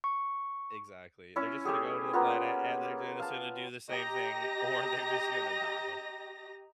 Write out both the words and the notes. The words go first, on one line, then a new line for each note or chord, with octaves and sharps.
Exactly. They're just gonna go to the planet, and they're j gonna sonna do the same thing, or they're just gonna die.
C#6
C#4 E4
A3 G4 G#4
A#3 B3 F4
F5 A5
G4 D#5 A#5 A#6